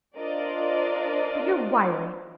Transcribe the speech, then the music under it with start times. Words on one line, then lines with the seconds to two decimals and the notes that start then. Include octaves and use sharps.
But you're wiry.
0.17 D4 F4 A#4 C5 D5 D#5